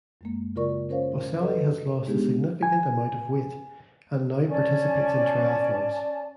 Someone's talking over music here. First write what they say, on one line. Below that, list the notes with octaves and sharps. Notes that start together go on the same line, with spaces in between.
Boselli has lost a significant amount of weight and now participates in triathlons.
F#2 G#3 A#3
C#3 F4 F#4 A#4 D5 C#6
C#4 A#4 C5 C#5 F5
F#4 A4 B4 D#5
G#3 B3 D4 D#4 G4 G#4
G#5
C#4 D5 G#5 A5